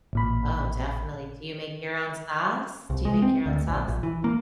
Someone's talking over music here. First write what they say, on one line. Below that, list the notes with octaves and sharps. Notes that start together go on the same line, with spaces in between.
Oh, definitely. Do you make your own sauce? Do you make your own sauce?
A1 A#2 B5
C2
G#3
C4
D2
A#1
A#1
E3
A#3